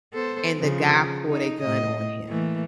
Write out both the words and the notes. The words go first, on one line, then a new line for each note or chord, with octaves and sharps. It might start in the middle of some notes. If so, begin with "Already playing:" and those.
and the guy pulled a gun on him,
B3 A4 C5
C#3 F3
D#4
A2 D#5
E3 A3 A#3